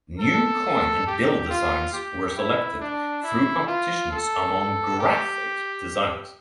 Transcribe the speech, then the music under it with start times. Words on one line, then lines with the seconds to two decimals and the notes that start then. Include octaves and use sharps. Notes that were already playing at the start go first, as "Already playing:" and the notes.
New coin and bill designs were selected through competitions among graphic designers.
0.19 A4
1.07 G4
1.50 F4
1.93 G4
2.37 E4
2.80 D4
3.23 E4
3.67 F4
4.11 A4
4.99 G4